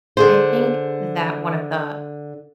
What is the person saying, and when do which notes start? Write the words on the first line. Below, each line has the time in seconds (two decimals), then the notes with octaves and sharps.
I think that one of the
0.17 D3 G#4 C5